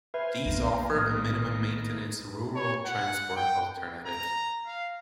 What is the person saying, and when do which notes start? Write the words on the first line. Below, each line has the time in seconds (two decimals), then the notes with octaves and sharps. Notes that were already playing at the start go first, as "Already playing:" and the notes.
These offer a minimum-maintenance rural transport alternative.
0.14 B4 C5 E5 G#5 F6
0.46 B1 F3 A#3 B3
0.95 A2 D#3 A#3 D#6 F6
2.55 C#5
2.85 F#5
3.36 G5
4.06 A#5
4.67 F5